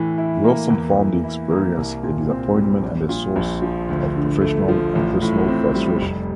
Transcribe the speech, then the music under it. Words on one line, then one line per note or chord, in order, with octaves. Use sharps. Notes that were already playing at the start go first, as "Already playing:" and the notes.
Wilson found the experience a disappointment and a source of professional and personal frustration.
Already playing: A2 E3
E4
A#3
E2
E3
E4
A#3
C2
A#2
C4
G3
A#1
A#2
A#1
F3
D2
D3
A3
F3
A1
A2
C4
G3
F1